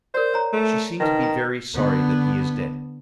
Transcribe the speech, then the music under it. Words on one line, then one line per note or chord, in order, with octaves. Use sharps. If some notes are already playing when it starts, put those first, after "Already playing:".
"She seems to be very sorry that he is dead."
A#4 C5 D5
C#5 A#5
A3
D#3 D#4 B4
A#5
D3 B3